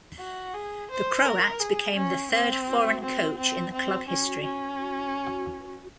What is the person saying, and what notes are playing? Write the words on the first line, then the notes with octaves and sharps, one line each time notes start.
The Croat became the third foreign coach in the club history.
F#4
G#4
C5
A#4
G#4
C#4
C4
C4
C4
C4
C#4
C#4